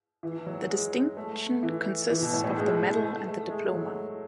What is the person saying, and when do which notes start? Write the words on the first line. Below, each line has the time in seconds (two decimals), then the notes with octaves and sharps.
The distinction consists of the medal and the diploma.
0.23 E3
0.46 F#3
0.69 G#3
1.17 A3
1.63 E3
2.10 E3
2.22 B2
2.33 A2
2.44 A2
2.56 G#3
3.03 A3
3.27 A3
3.50 G#3
3.74 F#3